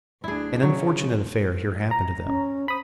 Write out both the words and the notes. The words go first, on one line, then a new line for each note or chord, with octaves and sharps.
An unfortunate affair here happened to them.
D2 D4 E4 G#4
C#3 F#3
A#5
C#4
C5 B5 D#6